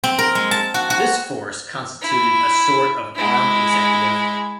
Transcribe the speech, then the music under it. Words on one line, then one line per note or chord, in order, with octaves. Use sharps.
This force constituted a sort of armed executive.
C4
A#4
G#3
A5
F#4
F#4
E4
G#3 E4